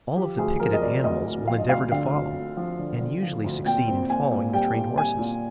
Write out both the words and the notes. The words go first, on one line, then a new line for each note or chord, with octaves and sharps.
All of the picketed animals will endeavor to follow, and usually succeed in following, the trained horses.
F3 G4
D2 G#4
F3 A#4
D#5
D2 D5
D2 D#5
D2
F3 F5
D#5
D2 F5
D3 F5
D2
D2
F3
D3
D3
F3
D2
A#2 G5
C4
A#2 G#5
A#2
G3 G5
A#2
G3 G#5
A#2